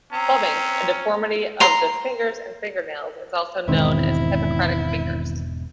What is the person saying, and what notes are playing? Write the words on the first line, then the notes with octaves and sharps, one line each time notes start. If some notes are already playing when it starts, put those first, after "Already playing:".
Clubbing, a deformity of the fingers and fingernails, is also known as Hippocratic fingers.
C4 C#4 A#5
A#5 C6
E1 G#2 D#3 C4 E4